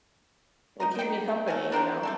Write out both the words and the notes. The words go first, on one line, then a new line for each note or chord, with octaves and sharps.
it'll keep me company," you know?
D#4 D#5 A#5
D3 G5
A3 A#4 F#5 G#5
D4 A#4 C5 G5
A3 C4 A4